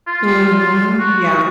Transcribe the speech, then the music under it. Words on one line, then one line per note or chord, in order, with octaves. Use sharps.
Mhm, yeah.
F4
F#4